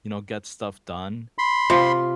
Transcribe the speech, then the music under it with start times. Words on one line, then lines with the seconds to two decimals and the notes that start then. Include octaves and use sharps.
you know, get stuff done
1.38 B5 C6
1.70 C3 F4